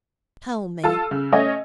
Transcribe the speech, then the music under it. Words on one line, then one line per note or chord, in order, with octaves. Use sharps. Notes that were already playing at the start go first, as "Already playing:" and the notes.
"Tell me!"
F4 A4 A5 E6
C#3
A3 C#4 C#5 D#5